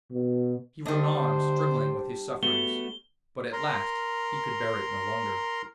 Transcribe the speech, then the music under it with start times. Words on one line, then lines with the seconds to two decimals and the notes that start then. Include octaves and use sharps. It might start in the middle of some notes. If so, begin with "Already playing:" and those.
He rode on, struggling with his sufferings, but at last he could bear it no longer.
0.12 B2
0.86 D2 G3 D4 C5 D#5
2.43 A3 B3 F#4 G7
3.53 A#4 A#5 C6